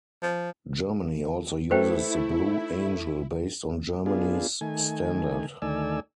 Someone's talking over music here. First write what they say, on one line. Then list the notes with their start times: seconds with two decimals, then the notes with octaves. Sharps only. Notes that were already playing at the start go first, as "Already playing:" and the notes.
Germany also uses the Blue Angel, based on Germany's standard.
0.23 F3
1.71 A3 E4 B4 C5 G5
4.06 B3 D4 F4 G#4
4.61 D#3 A3 G#5
5.62 D2 D#3 A3 D5 G#5 E6